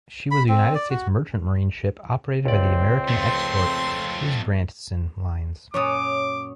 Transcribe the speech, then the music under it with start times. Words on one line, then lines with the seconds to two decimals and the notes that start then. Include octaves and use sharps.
She was a United States Merchant Marine ship operated by the American Export-Isbrandtsen Lines.
0.31 B5
0.49 C4
0.75 D5
0.90 F#4
2.45 C#2 C4 D5
3.08 F2 A3 C6
5.74 F#2 A#2 F#3 C#5 D6 D#6